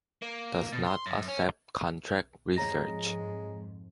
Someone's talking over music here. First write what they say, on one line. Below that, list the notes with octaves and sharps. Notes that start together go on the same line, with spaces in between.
Does not accept contract research.
A#3
B2
C6
F#2
C#4
F2 G#2 G#3 C#5 A#5 A#6